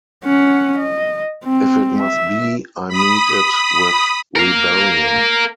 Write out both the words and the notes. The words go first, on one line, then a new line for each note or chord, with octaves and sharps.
If it must be, I meet it with rebellion.
C#4 F#5
D#5
C4
E5
B5 D#6
A#4 F5